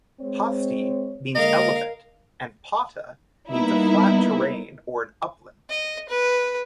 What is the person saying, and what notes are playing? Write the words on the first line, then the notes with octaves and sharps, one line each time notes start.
'Hasti' means elephant and 'Potta' means a flat terrain or an upland.
G#3 C4 C#5
D3 G#3 A#3 A#4 D#5 F5
G3 A#3 B3 D#4 E4
D#5
B4